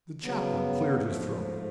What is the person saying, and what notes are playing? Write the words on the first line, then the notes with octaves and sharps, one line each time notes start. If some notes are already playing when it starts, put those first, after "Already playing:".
The chaplain cleared his throat.
C#3 F#3 B3
G#2 F3 A3